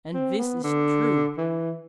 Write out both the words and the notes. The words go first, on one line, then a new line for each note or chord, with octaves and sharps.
And this is true.
C4
B3
D3
E3